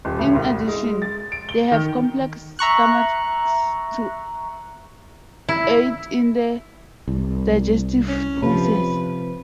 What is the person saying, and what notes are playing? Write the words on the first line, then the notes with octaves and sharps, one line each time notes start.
In addition, they have complex stomachs to aid in the digestive process.
D#1
D2
C2
G#3
G#3
A6
D7
G7
D#3
E5 A#5 C#6 F#6
E4
C2
C#4
C3 F3 B4